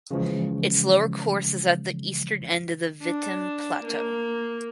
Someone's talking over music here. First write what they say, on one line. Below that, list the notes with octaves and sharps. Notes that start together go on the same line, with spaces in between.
Its lower course is at the eastern end of the Vitim Plateau.
C#3 E3 F3 G#3
D4
A#3